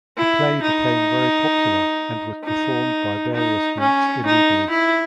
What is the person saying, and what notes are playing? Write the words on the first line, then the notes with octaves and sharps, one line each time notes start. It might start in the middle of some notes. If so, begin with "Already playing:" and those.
The play became very popular and was performed by various groups illegally.
E4
D#4
D#4
D#4
C#4
D#4
E4